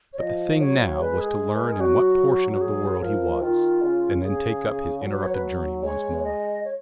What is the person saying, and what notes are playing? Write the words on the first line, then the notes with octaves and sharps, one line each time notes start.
But the thing now was to learn in what portion of the world he was, and then take up his interrupted journey once more.
C#5
F3 D#5
F#3 C#5
G#3 B4
G#4
B4
A#4
G#4
F#3 F#4
F#4
G#4
F3 A#4
D#3 F4
C#3
C#3 G#4
F#3
B4
C#5
B4
G#3 C#5
D#5
C#5